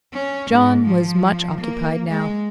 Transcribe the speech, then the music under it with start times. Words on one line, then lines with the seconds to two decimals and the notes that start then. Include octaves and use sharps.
John was much occupied now.
0.13 C#4
0.51 G#2
0.86 F3
1.61 A#3
2.08 G#3